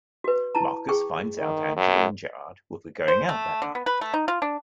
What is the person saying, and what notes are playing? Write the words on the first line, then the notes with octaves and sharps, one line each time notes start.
Marcus finds out Angela and Gerard will be going out that night.
F#4 B4
E4 A5 A#5
G#4 G5 C#6
D#3
F#2
C5
A3
D3
B3
B4
A3
D#4
F4
D4